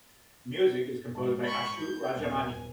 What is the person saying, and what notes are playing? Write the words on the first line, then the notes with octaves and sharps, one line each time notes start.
Music is composed by Achu Rajamani.
G#2 F3 A5
B5 C#6
G6
D#1 B1 G#5